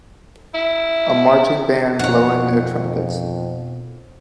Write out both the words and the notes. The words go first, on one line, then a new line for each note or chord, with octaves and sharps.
A marching band blowing their trumpets.
E4
F2 B2 A#3 D#4 C#5 F#5